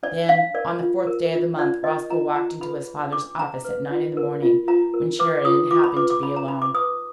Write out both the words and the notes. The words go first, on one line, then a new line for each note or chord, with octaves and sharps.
Then, on the fourth day of the month, Roscoe walked into his father's office at nine in the morning, when Sheridan happened to be alone.
D4 D5
D4 F5
A#4 D5
F4
A#4
F4
F4 D5
A#4 D#5
F4 A#5
F4 A#5
B4 B5
G#4
D4 D6
D4 A#5
B4
F4
A#4
F4
F4 A#5
A#4
B4 D6
F4 D#6
F4 D6
B5
B4 D6
D6
D#4 B5
A#5
D#4 B5
D6
B4 D#6